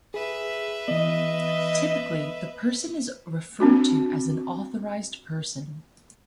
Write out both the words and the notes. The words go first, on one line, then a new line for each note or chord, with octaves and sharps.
Typically, the person is referred to as an authorised person.
G#4 B4 E5
E3 B3 D#5
C4 D4 F#4